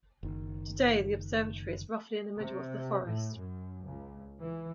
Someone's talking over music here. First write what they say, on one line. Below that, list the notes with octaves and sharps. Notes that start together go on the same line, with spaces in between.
Today, the observatory is roughly in the middle of the forest.
F#1 D#3
C3
A2
F#2
C#2
E3